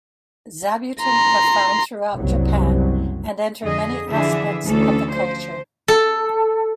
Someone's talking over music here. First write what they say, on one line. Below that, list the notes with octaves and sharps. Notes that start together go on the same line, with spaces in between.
Zabuton are found throughout Japan and enter many aspects of the culture.
A#5 C6
F#1 C2 F#3
F2 D3 G#4 D#5
D3 E3 F3 D4 G#4 E5
D2 E3 C#4 A4
F3 C5
A4